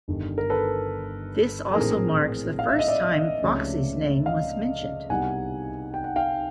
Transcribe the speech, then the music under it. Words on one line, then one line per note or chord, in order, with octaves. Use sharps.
This also marks the first time Foxy's name was mentioned.
G1 G2 D#3
A#4
A4 B4
A4
A#1 A2 E3 A3 C4 G#4 A#4
F5
E5
D#5
D5 E5
C#2 C3 F3 A3 C#4
D#5 F5
C2 B2 G3 C4 D#4 F#5 G#5
G5
F#5
F5 G5